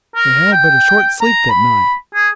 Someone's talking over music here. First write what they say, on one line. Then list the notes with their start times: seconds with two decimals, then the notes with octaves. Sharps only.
They had but a short sleep that night.
0.16 A#4
0.52 G5
1.21 A#5
1.50 B5
2.14 G#4